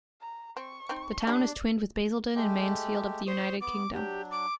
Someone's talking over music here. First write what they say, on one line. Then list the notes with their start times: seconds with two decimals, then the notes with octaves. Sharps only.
The town is twinned with Basildon and Mansfield of the United Kingdom.
0.21 A#5
0.57 C4 C#6
0.89 C4 D#4
1.27 D4 G4 D5 E5 B5
2.35 G#3 A3 G4
3.27 C5 C#6 D#6
3.61 B3 D6
3.93 F#3 D4 G4
4.31 D6